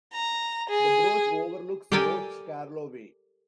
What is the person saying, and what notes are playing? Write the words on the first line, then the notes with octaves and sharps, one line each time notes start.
The broch overlooks Loch Carloway.
A#5
G#4
G4 A4 A#4 D5 G5 G#5